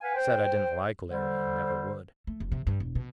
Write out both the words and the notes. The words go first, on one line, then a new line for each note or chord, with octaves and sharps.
I said I did n't like Larry, and never would.
B4 F5 F#5 G#5
C5 G5
D3 G3 C5
A3
F1
C3
G2
E1
B2